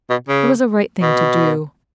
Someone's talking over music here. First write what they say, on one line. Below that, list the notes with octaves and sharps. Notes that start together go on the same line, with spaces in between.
It was a right thing to do.
B2
C#3
B2